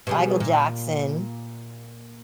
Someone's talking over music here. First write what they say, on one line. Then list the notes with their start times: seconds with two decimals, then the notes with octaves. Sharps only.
Michael Jackson,
0.07 B2 G3 G#4
0.40 A#2